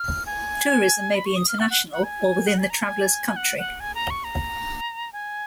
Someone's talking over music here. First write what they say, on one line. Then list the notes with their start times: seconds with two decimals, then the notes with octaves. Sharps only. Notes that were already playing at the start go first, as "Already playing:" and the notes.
Tourism may be international, or within the traveller's country.
Already playing: F6
0.26 G#5
1.15 B5
1.26 C#6
1.36 D#6
1.48 F6
1.59 F#5
1.70 F#5
1.92 F#5
2.03 G#5
2.47 F#5
2.58 G#5
2.70 A#5
2.81 G#5
3.36 F#5
3.58 F#5
3.80 G#5
3.95 A#5
4.10 C#6
4.24 A#5
5.13 G#5